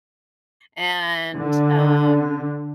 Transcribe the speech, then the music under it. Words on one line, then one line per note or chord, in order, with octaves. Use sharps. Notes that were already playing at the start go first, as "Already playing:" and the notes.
and, um,
D3